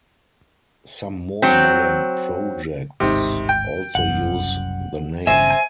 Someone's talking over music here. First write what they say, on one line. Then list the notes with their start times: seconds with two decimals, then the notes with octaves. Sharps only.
Some more modern projects also use the name.
1.42 F#3 C4
3.00 D1 G#1 C3 D#3 G#3
3.49 G5
3.95 F#1 C2 F#2 F#5
5.27 G1 C#3 C5 E5 G#5